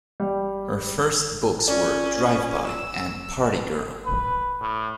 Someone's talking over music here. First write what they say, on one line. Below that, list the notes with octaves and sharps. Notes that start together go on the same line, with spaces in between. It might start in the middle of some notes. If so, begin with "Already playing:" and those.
Her first books were "Drive-By" and "Party Girl".
G3
C#4 F4 D5
E6
B4
A2